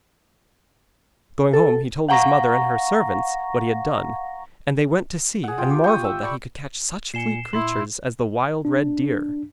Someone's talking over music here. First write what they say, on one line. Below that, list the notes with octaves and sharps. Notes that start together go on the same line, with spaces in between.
Going home, he told his mother and her servants what he had done, and they went to see, and marvelled that he could catch such fleet creatures as the wild red deer.
A4
F5 F#5 A#5 C#6 A#6
G#4 F#5
F4 G5
G4
G5 C#6 D#6
E5
D5 B5 C#6
A#2 G#5 C7 C#7 E7 G7
A#2 E4 C6
D4